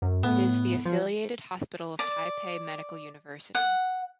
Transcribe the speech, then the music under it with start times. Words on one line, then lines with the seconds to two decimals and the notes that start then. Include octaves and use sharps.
It is the affiliated hospital of Taipei Medical University.
0.02 F#2
0.23 A2 B3
0.85 F3
1.99 D5
3.55 F#5